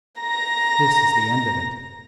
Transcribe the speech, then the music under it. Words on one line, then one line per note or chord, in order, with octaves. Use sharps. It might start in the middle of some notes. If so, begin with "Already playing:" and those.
This is the end of it.
A#5 A#6